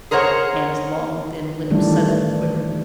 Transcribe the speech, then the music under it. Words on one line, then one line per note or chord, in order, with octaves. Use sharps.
Anne's long, thin lips suddenly quivered.
G#4 A#4 C5 C#5 F5 F#5
D#3 E3 G3 A3 D4